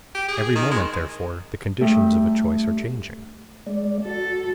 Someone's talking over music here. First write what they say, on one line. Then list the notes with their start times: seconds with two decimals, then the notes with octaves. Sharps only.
Every moment, therefore, the conditions of a choice are changing.
0.15 G4
0.28 G#4
0.55 D#3
0.71 G#3
1.81 G2 A3 G4
3.67 G#3 D5
4.05 F#4 A4